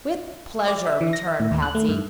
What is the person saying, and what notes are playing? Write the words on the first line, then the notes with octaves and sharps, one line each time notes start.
"With pleasure," returned Patsy.
D5
E5
E3
A#6
E5
A2
D#2
F#6
A3
G2